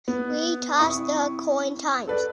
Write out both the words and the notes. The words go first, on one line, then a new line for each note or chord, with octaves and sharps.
We toss the coin times.
B3
C3 E4 C#6 D#6
A4 B4 D5